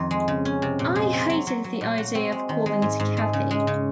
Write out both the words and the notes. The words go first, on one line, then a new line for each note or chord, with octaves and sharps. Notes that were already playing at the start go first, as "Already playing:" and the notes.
I hated the idea of calling it 'Cathy.
Already playing: F2 D#3
G#3
C#3
C#4
C3
A#2
G#3
C4
F#3
F#3
F#3
A#2
F#4
C4
G#3
D#3
G#3
G#2
G#2
G#3
C#3
G#3
C#3